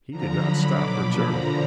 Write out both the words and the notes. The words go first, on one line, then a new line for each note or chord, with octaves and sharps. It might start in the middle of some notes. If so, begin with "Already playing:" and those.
He did not stop or turn.
D3 F3 A#5
D3 F#3 B5
B2 F#3 D6
A#2 F3 B5
D3 F3 A#5